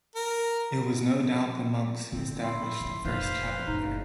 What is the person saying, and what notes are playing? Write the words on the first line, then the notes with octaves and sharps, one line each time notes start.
It was no doubt the monks who established the first chapel here.
A#4
D3 B3 C4
E4 C6
D#3 C4
F1 D#4 B4 C5 F5
F#1 A2 D#4